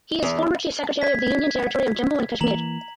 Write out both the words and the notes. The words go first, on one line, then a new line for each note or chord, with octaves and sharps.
He is former Chief Secretary of the Union Territory of Jammu and Kashmir.
E2
G#6 B6
E3 A#3 A#5 F#7